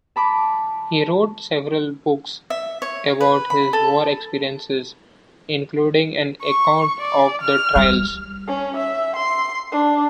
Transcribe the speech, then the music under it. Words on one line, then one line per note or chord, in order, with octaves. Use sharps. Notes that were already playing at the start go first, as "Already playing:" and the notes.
He wrote several books about his war experiences including an account of the Trials.
A5 B5 D6
E5
C#5
B4
B5
A4
C#6
D5
F6
G3
C#4
E5
C6
D4